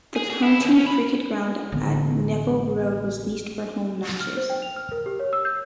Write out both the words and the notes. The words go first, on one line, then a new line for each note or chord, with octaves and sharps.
The County Cricket Ground at Nevil Road was leased for home matches.
G#4
G#4
E4
D#2
C#4
B5
A1 D3 B3
F6
C5
G5
F7
F6
A#4
G4
C#5
E6
G6